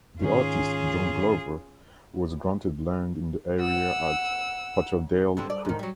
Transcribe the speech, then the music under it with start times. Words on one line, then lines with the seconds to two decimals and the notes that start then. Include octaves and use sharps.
The artist John Glover was granted land in the area at Patterdale creek.
0.22 G#2 D#3 C#4 F4 G#4
3.61 F#5 E6
5.37 G2 D3 C4
5.50 D5
5.65 G#2 D#3
5.79 F#3 G3